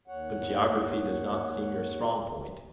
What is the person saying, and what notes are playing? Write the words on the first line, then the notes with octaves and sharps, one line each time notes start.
"But geography does not seem your strong point."
D#2 C#5 F#5